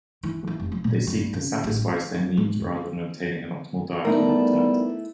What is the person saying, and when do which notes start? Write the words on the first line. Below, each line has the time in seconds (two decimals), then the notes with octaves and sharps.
They seek to "satisfice" their needs rather than obtaining an optimal diet or habitat.
0.23 E3
0.47 E3
0.60 F1
0.72 F3
0.84 A#2
1.07 G2
1.34 C#3
1.64 A1
1.82 E3
2.14 F#3
2.37 G#2
2.60 F2
4.05 G3 A3 B3 D#4 E4 A#4